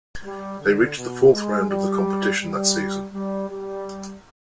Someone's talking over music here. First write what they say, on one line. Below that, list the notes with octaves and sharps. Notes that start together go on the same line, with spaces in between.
They reached the fourth round of the competition that season.
G3
D3
B2
G#3
G3
G3
G3
G3